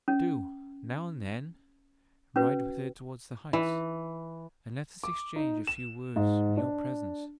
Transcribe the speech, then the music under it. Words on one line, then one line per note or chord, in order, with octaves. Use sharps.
Do, now and then, ride with her towards the Heights; and let us exchange a few words, in your presence!
C#4
C#4 F#4 B4
E3
D6
D#4
E7
G#2
D4